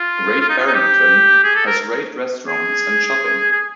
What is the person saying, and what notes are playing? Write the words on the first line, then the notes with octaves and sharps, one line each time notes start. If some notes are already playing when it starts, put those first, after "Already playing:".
Great Barrington has great restaurants and shopping.
Already playing: F4
F4
D#4
F4
D#4
G4
G#4
A4
A#4
G#4
G#4